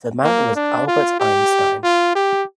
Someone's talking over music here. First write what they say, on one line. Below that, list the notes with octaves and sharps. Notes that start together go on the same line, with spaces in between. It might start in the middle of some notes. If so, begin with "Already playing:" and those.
The man was Albert Einstein.
A#3
D4
F4
G4
F4
G4